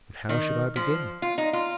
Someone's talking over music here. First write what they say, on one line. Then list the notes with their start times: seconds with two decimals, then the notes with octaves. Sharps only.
But how should I begin?
0.29 D#3
0.76 F3
1.22 F4
1.38 D#4
1.53 F4